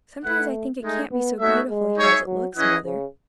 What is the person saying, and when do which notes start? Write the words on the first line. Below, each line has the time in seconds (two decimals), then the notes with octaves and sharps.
Sometimes I think it can't be so beautiful here as it looks, mother.
0.25 A3 E4 B4 F#5
0.82 G#3 A3 D#4 G#4
1.12 B3
1.40 A3 B3 D#4 F#4 C#5 E5
1.69 G#3
1.98 D#4 G#4 C#5 E5
2.27 F#3
2.56 E3 C#4 E4 G#4 D#5 F#5
2.85 C#3